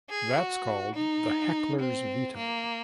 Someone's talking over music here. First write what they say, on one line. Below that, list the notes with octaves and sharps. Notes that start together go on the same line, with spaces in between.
That's called the 'heckler's veto'.
G#4
F#4
D#4
C4
A#3